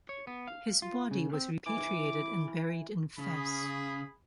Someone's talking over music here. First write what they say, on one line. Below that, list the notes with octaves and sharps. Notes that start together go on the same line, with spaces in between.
His body was repatriated and buried in Fes.
C#5
B3
F5
F4
C#3
C4
E3 D6
C#3 G#4 B5